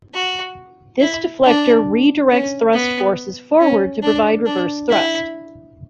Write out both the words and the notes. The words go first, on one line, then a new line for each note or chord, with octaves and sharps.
This deflector redirects thrust forces forward to provide reverse thrust.
F#4
E4
D4
C#4
B3
C#4
D4
D4
E4